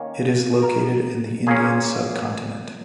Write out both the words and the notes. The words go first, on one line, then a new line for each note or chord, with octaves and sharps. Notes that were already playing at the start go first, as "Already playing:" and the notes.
It is located in the Indian subcontinent.
Already playing: D#3 A#3 C#4 C#5
A#4
A#2 A#3 C#4 G#4